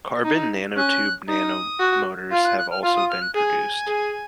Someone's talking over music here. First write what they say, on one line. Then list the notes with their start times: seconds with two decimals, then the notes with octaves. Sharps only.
Carbon nanotube nanomotors have also been produced.
0.25 D#4
0.76 C#4 F#6
1.28 D#4 D#6
1.80 F#4
2.32 F4 F6
2.45 F#6
2.57 F#6
2.71 F6
2.83 F4 F6
2.96 D#6
3.09 F6
3.22 F#6
3.35 G#4 G#5
3.87 G#4